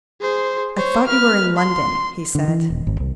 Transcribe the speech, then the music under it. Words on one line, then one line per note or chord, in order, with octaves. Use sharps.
"I thought you were in London?" he said.
G#4 C5
C5 C#5
B4 F6
C6
D3
E3
D#1
G#1
C2